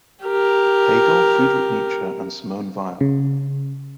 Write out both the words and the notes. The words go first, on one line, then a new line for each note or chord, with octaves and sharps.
Hegel, Friedrich Nietzsche and Simone Weil.
G4 A#4
C#3